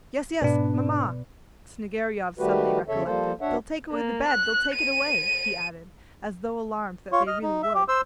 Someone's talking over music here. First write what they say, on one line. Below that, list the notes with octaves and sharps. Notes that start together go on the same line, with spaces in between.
"Yes, yes, mamma!" Snegiryov suddenly recollected, "they'll take away the bed, they'll take it away," he added as though alarmed that they really would.
G#2 B2 D4 B4 D5
D#3 G3 A3 F#4 G4 B4
E2 C#3 A4 C#5 E5
F3 G3 A#3 A4 C5
D2 D4 C#5 E5 F#5
A#3
F#6
D#7
F4 C#5
D#5 F6
D#4
E5
G4
C5 E6